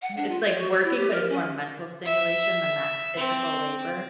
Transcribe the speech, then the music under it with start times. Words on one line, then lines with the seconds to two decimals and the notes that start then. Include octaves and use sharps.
it's like working, but it's more mental stimulation than that physical labor.
0.02 F#5
0.17 D4
0.28 F4
0.45 C#5
0.58 F#4
0.73 C#5
0.84 E4
0.96 G4
1.12 A#4
1.30 C#4
2.05 E5
3.17 C4